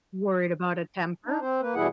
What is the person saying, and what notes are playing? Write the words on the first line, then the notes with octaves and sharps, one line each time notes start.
Worried about a temper?
D4 D#4
C4 C5
A#3 B4
B2 E3 G3 E4 G#4 F#5